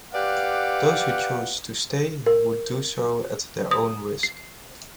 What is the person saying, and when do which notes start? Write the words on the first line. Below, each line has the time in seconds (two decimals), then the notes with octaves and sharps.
Those who chose to stay would do so at their own risk.
0.14 G4 B4 D5 F5 F#5
2.26 A#4
3.71 D#6
4.23 C7